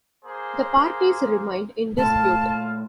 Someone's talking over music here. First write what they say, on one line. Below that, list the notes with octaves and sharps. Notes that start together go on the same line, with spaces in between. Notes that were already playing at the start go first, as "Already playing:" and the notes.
The parties remained in dispute.
A#3 G#4 C5
A#2 A3 F4 A5